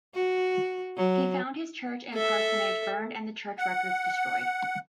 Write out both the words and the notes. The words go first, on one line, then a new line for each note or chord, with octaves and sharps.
He found his church and parsonage burned and the church records destroyed.
F#4
F#3
A4 E5
F#5